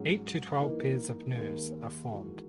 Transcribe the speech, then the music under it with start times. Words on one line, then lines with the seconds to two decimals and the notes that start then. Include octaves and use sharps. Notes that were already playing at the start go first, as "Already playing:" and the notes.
Eight to twelve pairs of nerves are formed.
Already playing: G#2 F#3 C#4 G#4
0.59 E3 A#3 D#4 A#4
1.35 D#2 D#3 G#3 D#4 A#4
2.10 E3 G#3 D#4 F#4